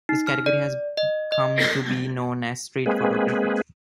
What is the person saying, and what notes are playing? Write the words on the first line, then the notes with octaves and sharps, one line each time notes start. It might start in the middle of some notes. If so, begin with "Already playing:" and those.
This category has come to be known as street photography.
D#4
F6
D5
D#5
D#5
G#3 A#3 C4 G#4 B4